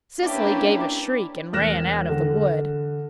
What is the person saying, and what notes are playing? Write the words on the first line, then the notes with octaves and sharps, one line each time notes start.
Cecily gave a shriek and ran out of the wood.
A#3 C#4 D4 E4 G4 B4
E1 F6 F#6 A#6 E7
D3